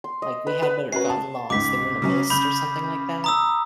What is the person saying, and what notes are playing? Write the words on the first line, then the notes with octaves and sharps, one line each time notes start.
like, we had better gun laws, they wouldn't have missed," or something like that,
C6
D#5
B4
B4
C#4 F#4 B4 C7
A5
C#2 G#2 D6 B6
C#3 F#3 C#4
C#3 B5 G6
A#5 D#6 E6